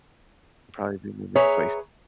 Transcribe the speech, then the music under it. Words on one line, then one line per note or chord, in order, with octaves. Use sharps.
Probably be my next place.
G#4 B4 C#5 E5 A#5